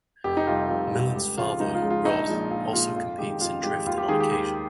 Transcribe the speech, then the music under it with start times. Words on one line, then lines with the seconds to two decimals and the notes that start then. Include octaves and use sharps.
Millen's father, Rod, also competes in drifting on occasion.
0.24 F1 G4
0.37 D#4
0.47 F2 C3 G3 F4
0.69 F1 F4
0.92 F2 C3 G3
1.14 C#2 G4
1.38 C#3 F3 G#3 F4
1.60 C#2 D#4
1.75 F4
1.82 C#3 F3 G#3
1.90 F4
2.05 A#1 D#4
2.27 A#2 F3 G#3
2.50 A#1 F4
2.73 A#2 F3 G#3 F4
2.95 F2 F4
3.18 D#3 G#3 G4
3.41 F2 F4
3.63 D#3 G#3 G4
3.86 D#2 F4
3.98 G4
4.09 D#3 G#3 G#4
4.20 G4
4.31 D#2 G4